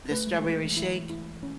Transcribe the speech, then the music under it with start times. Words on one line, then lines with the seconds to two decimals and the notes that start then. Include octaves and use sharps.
the strawberry shake
0.11 A3 B4
0.27 G#3
0.44 B4
0.60 E3
0.76 E3 E4
1.10 E4
1.43 C#4